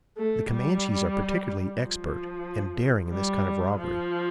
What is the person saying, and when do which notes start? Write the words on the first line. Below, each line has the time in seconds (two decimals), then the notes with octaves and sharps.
The Camanches are particularly expert and daring in this kind of robbery.
0.18 A3
0.50 G3
1.80 F3
3.10 G3
3.75 F3